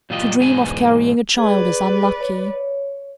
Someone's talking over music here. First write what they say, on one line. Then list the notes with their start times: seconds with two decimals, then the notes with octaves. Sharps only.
To dream of carrying a child is unlucky.
0.10 A#2 E3 F#3 F4 G4 D#5
0.39 E2 G#2 B2 G#5
1.38 G#4 B4 D5
2.21 C#5